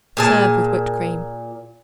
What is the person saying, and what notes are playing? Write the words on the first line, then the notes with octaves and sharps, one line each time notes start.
Serve with whipped cream.
A#2 G#4 A5